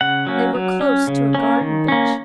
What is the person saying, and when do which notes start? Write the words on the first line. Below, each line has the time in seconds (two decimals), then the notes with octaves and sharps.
They were close to a garden-bench.
0.01 C#3 F#5
0.27 F#3 A#3 C#4
0.55 F#3
0.81 C#4
1.07 C#3
1.35 A#3 C#4
1.61 D#3
1.88 A#3 C#4